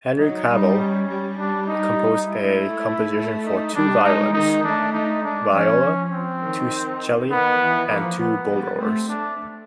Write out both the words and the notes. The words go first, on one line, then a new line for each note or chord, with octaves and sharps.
Henry Cowell composed a composition for two violins, viola, two celli, and two bullroarers.
F#3 D#4
G3 D#4
C#4
G3
D4
D#4
G#3 E4
A3
A3
D#4
G3 D4
G#3 D#4
D#3 D#4
A3 D4
D#4
G#3 D4
F3 C#4
C4
D#3
D#3 B3
E3
F3 A#3
B3
G3
A3 C4
A3 D4